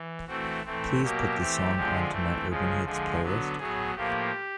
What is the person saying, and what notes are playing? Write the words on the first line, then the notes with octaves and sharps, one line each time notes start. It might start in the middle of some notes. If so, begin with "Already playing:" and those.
Please put this song onto my Urban Hits playlist.
Already playing: E3
E3 A3 C4 F#4
A2 E3 A3 C4
B2 F#3 A#3 G4
E3 A3 C4
D3 F3 G#3 C4
E3 A3 C4
C#3 F3 G#3
D3 F3 G#3
D3 F#3 B3
A2 F#3 B3 G#4
A2 F3 A#3 G4